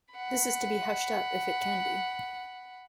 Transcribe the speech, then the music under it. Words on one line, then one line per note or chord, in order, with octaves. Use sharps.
This is to be hushed up if it can be.
F#5 B5